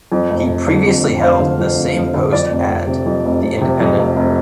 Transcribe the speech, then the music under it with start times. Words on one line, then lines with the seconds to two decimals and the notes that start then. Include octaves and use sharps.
He previously held the same post at "The Independent".
0.12 F2
0.30 F1
0.49 F1
0.67 D3
0.86 F2
1.04 F1
1.22 F1 C5 F5
1.40 D3
1.59 F2
1.77 F1
1.96 F1
2.14 D3
2.33 F2 D5
2.51 F1
2.69 F1
2.87 C3
3.06 F2
3.25 F1
3.43 F1
3.61 C3
3.80 F2
3.99 F1
4.16 F1